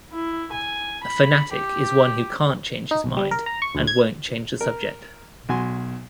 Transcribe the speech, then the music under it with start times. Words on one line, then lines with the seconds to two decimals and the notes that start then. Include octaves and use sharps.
A fanatic is one who can't change his mind and won't change the subject.
0.13 E4
0.53 G#5
1.04 B5
1.54 G4
2.91 D#4
3.04 B1
3.17 G3
3.31 A#4
3.46 A#5
3.62 C#6
3.75 D2
3.87 G#6
4.61 A#4
5.49 B1 F#4 G#5 C6